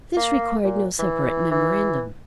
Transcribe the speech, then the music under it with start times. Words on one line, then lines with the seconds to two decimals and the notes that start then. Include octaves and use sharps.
This required no separate memorandum.
0.17 A#3
0.64 A#2
0.99 E3
1.51 E3